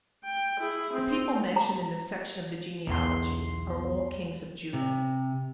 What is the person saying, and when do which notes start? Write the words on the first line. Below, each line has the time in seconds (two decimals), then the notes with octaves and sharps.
The people mentioned in this section of the genealogy are all Kings of Judah.
0.25 G5
0.60 E4 G#4
0.93 C4
1.56 A#5
2.87 B1 E2 C6
4.73 C3